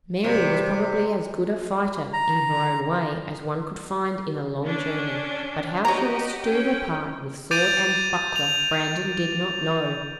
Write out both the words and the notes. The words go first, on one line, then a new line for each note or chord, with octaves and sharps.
Mary was probably as good a fighter, in her own way, as one could find in a long journey, but how she was to do her part with sword and buckler Brandon did not know.
C3 G3
A#5
C#4 D4
F#4 G4 C#5 D#5 A#5
C#4 G5
D6 G6 A6 D7 D#7 F7
F7